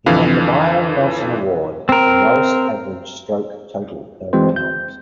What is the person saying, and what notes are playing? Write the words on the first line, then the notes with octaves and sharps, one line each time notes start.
He won the Byron Nelson Award for lowest average stroke total per round.
F2 D3 E3 F5
C4 A#4
E3 G#3 C4 F#4 C5
G6